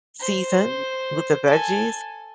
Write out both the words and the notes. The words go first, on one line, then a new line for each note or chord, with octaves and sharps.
seasoned with the veggies.
C5
A4 G#5